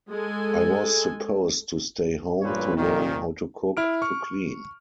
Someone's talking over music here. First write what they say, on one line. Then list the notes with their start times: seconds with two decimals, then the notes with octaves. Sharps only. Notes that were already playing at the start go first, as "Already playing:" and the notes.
I was supposed to stay home to learn how to cook, to clean.
0.11 G#3 A4 G#5
2.42 A1 G2 A#2 G3 B4 C#5
2.76 C2 A#2 D#3
3.77 E4 F6 D7
4.02 C#6 F6